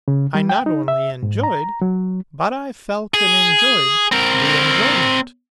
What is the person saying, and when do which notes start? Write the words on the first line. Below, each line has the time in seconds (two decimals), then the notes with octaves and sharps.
I not only enjoyed, but I felt and enjoyed the enjoyment.
0.08 C#3
0.35 G3
0.49 G5
0.66 D#4
0.88 E5
1.23 G#2
1.43 A#5
1.82 F#3
3.14 G#4
4.12 C4 A#4